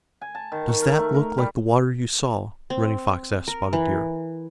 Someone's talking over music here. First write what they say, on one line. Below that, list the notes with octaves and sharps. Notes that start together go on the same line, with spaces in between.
"Does that look like the water you saw!" Running Fox asked Spotted Deer.
G#5
A5
D#3
C#6
A#4
A3
A#4
G3
C4
A#4
E3